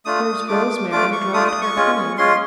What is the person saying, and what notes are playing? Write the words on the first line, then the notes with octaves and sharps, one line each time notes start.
Nurse Rosemary dropped her pen.
A3 D4 F4 D#6
A3 D4 F4 D6
A3 D4 F4 D6
C#6
A3 D4 F4 D#6
D#6
C#6
G#3 C#4 F4
G#3 C#4 F4 C6